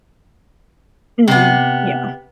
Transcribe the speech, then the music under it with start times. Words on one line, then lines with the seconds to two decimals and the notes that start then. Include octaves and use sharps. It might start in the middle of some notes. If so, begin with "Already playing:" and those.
Mhm, yeah.
1.28 C3 B3